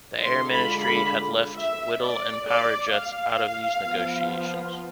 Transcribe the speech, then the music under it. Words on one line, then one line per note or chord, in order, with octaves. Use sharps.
The Air Ministry had left Whittle and Power Jets out of these negotiations.
D3 G#3 D4 F4 C6
B5
B5
E5
D5
D5
F5
F3 B3 F4